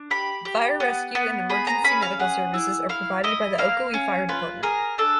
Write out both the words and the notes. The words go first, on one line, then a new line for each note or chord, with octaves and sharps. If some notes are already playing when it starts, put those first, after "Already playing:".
Fire rescue and emergency medical services are provided by the Ocoee Fire Department.
Already playing: D4
G4 B5
G4
B3
B3
G#4 B5
A#5
C#4 B5
F5
G#4 F#5
E4
E4 F5
E4 D#5
A#3 F5
C#4
F4 B4
G#4 A#4
D4 A4